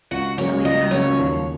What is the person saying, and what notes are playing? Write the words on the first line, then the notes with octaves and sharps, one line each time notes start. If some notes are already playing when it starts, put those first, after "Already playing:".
Oh, you have? Okay.
C#2 F#4
C#3 F#3 A#3 C#5
C#2 D#5
C#3 F#3 A#3 C#5
D#2